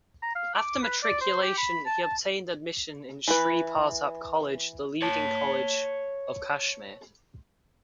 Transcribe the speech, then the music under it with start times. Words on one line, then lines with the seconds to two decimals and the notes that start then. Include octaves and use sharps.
After matriculation he obtained admission in Shri Partap College, the leading college of Kashmir.
0.23 A#5
0.36 F5
0.55 D6
0.83 B4
1.03 D5
1.21 C5
1.42 G4
1.58 B5
1.86 A5
2.03 A5
3.28 E3 B4
5.02 C#5 A5